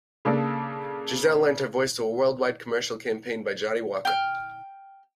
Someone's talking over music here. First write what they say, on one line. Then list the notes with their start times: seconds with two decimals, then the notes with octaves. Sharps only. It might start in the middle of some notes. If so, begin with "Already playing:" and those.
Gisele lent her voice to a worldwide commercial campaign by Johnnie Walker.
0.25 C#3 A#3 D4 A4
4.05 G5 F6